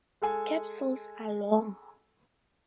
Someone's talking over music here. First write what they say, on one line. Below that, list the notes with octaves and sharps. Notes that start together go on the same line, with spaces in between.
Capsules are long.
G#3 A4 G#5